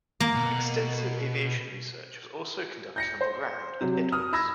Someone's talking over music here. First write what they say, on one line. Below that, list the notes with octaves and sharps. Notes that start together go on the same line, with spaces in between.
Extensive aviation research was also conducted on the ground at Edwards.
A#3
B2
G6 A#6 C#7
C5
C3 F#3
D#6 F6
B5 E6 G#6 A#6